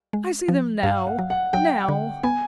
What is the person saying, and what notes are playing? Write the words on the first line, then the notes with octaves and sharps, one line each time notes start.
I see them now--now!'
G#3
F3
G2 F5
F#5
F#3
F#5
F#3 G5
D3
B3 G#5